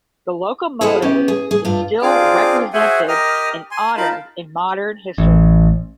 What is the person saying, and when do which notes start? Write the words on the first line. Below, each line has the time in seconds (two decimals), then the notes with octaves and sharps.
The locomotive is still represented and honored in modern history.
0.81 E4 G#4 A4 C5 F5 F#5
1.02 B3 C#4 G4
1.28 G#4
1.51 G#4
1.65 G2 F4
2.02 C4 D4 F4 G#4 F5 D6
2.73 F#4 G#4 C5 E5 F#5 G#5
3.08 G4 A#4 D#5 D#6 F6
3.71 G#5 C6
3.97 D#4 F4 A#4 F5 A5 B5
5.18 A1